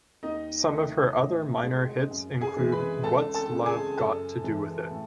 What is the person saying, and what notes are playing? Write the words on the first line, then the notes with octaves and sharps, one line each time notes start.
Some of her other minor hits include What's Love Got to Do with It?
D#2 D#4 D#5
D#3 A3
A2
G#3
F#2
G#4 G#5
E3 G#3
B4 B5
C#2 A4 A5
A4 A5
C#3 G#3
G#4 G#5
F#2 A4 A5
E3 G#3
A2